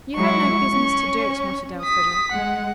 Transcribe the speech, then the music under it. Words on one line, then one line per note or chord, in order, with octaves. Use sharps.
"You had no business to do it," muttered Elfreda.
F#3 G#3 E4 C#6
C#4
D#6 B6
G#3 F#5